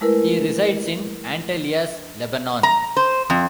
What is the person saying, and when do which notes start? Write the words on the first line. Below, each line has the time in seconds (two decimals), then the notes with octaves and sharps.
He resides in Antelias, Lebanon.
0.01 G#3 A3 E4 A#4 B4
2.63 A#5
2.97 C5
3.30 F2